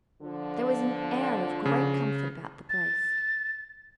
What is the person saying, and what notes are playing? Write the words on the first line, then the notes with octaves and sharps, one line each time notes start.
There was an air of great comfort about the place.
D3 F3
C#3
A6